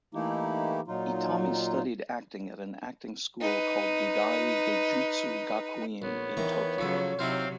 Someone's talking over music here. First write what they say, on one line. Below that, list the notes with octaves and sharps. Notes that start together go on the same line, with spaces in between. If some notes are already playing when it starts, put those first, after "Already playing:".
Itami studied acting at an acting school called Budai Geijutsu Gakuin in Tokyo.
E3 A3 A#3 D#4 E4 G4
A#2 F#3 D#4 F4
D#4 B4
A#1 B3 C#5
D#3 E3 A#5
C#3 F3 F#3 A4
C3 F#3 C4 D#4 E4 C5 F5